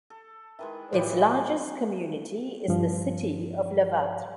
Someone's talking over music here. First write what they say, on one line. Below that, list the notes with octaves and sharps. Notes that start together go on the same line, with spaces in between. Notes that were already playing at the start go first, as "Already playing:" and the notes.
Its largest community is the city of Lavaltrie.
A4
D#3 E3 G#3 A#4 E5
A2 E3 G3 B3 F4 G4 C5 C#5
G2 F3